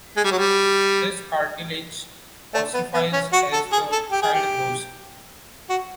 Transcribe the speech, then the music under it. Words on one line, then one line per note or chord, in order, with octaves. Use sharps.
This cartilage ossifies as the child grows.
G#3
G3
F#3
G3
A3
B3
B3
C#4
F#4
A4
G#4
A4
G4
G#4
G4
F#4